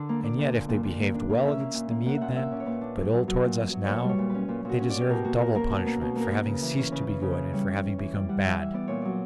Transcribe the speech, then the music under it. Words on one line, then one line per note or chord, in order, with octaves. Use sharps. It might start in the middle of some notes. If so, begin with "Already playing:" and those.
And yet if they behaved well against the Mede then, but ill towards us now, they deserve double punishment for having ceased to be good and for having become bad.
Already playing: D3 D4 A#4
A#3
A#3 D5
A#2
A#2
A#2
A#2
A#3
D4
A#3
C#4 E5
A#3
A#2
A#3
A#3 F#5
A#2 E5 F#5
A#3 E5 F#5
C#4 D5
C#5
A#2 B4
D4
F#3
F#3
F#3
A#2
B3
F#3
A#2 B4 C#5
G3
C#5
A#2
B4
C#4
A#2
A#2 F#4
C#4
D5
C#4
G4
B2 A#4
A#3 F#4
B2 A#4
A#3 A#4
B2
A#3
B2
A#3 A#4
A#3 B4
C#3
E3
C#4
C#3 B4
C#3
C#3
E3
G3 C#5
E3
C#4
E3
G3 D5
G3 F#5
E3 E5
E3 E5
B3 D5
A#2 C#5
F#3 D5